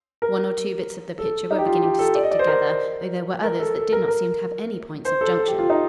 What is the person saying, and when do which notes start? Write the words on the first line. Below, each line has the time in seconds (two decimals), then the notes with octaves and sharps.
One or two bits of the picture were beginning to stick together, though there were others that did not seem to have any points of junction.
0.22 A#4
1.19 A4
1.51 D#4
1.58 G4
1.67 F4
1.83 G4
1.99 A4
2.15 D5
2.23 D#5
2.31 D5
2.39 C5
2.47 A#4
3.44 A#4
3.60 A4
3.76 A4
3.92 A#4
4.08 A#4
5.05 C5
5.21 A4
5.38 A4
5.48 G4
5.59 F4
5.70 D#4